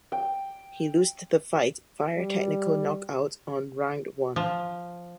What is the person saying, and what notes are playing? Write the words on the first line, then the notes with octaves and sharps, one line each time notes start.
He lost the fight via technical knockout on round one.
G5
G3
F3